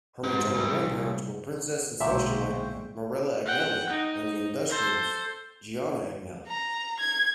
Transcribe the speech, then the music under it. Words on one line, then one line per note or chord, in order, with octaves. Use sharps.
Her maternal grandparents were princess and socialite Marella Agnelli and the industrialist Gianni Agnelli.
G#2
C2
B1 A#2 D3 G#3 C5 E5 G5 C#6
F#5 G5
D#4
A4 C5
A#5
G#6